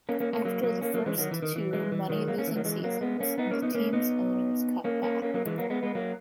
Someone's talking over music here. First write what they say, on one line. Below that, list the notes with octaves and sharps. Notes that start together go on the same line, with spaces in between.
After the first two money-losing seasons, the team's owners cut back.
A#3 C#4
A#3 C#4
A#3 C#4
F#3 A#3
F#3 A#3
A#3 C#4
F#3 A#3
E3 G#3
D#3 F#3
E3
D#3
E3
E3 G#3
E3
D#3 F#3
F#3 A#3
A#3 C#4
E3
D#3 F#3
E3 G#3
F#3 A#3
G#3 B3
A#3 C#4
B3 D#4
A#3 C#4
B3 D#4
A#3 C#4
B3 D#4
A#3 C#4
A#3 C#4
A#3 C#4
F#3 A#3
E3 G#3
F#3 A#3
G#3 B3
G#3 B3
F#3 A#3